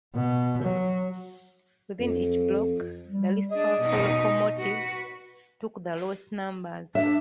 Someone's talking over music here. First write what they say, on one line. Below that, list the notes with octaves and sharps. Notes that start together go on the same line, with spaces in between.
Within each block, the least powerful locomotives took the lowest numbers.
B2
F#3
F2
G3
D4 G#4 D#5
B2 D#4
F#4 B4
D4 E5